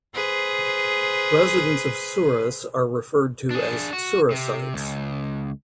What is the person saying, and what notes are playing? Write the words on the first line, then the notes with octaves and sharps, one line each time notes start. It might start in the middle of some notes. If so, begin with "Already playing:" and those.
Residents of Souris are referred to as Sourisites.
G#4 B4 C5
D4 G#4
F#4
C3
C#2